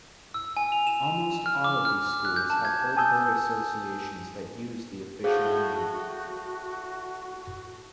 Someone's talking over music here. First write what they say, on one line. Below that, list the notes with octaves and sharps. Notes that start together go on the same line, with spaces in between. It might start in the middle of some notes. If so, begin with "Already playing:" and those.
Almost all of these schools have old boy associations that use the official name.
E6
G#5
F7
E7
F6
D6
F6
F#6
G6
A5
G#6
G#5 A5 D#6 E6 G6
A2 F#4 G#4 C5 F5